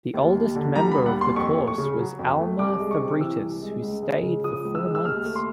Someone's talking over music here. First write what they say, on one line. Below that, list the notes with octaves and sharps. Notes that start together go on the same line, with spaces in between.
The oldest member of the course was Alma Fabritius, who stayed for four months.
D#2
D#2
D3
G3 A#5
B5
D#2
F#5
D#2
C6
F2 C#6
A3
C#6
C#3
F#3
F2
A3
C2 D6
G#3
C#6
C3
E3 E6
C2
G#3
C#2
G#3
C#3
F3 D#6
C#2
E6
G#3
E6
D#2 F6
A3
C6